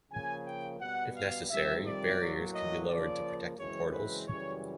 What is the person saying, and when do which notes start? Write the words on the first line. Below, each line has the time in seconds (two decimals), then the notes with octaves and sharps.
If necessary, barriers can be lowered to protect the portals.
0.11 C#3 F3 A#3 G#5
0.46 G5
0.80 B2 G3 B3 F#5
1.15 F5
1.50 F2 C3 D#3 G3 E5
1.85 D5
2.19 A2 F#3 A#3
2.54 D#5
2.89 C#3 F3 A#3 D5
3.57 F#2 C#3 E3 G#3 C4 C#5
3.93 B4
4.27 F#2 C#3 E3 G3 C#5